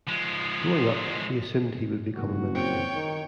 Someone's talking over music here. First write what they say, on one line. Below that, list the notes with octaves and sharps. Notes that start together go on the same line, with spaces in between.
Growing up, he assumed he would become a minister.
F3 G#3
F#1 A#2 F#4
C4 C#5 G5
D#3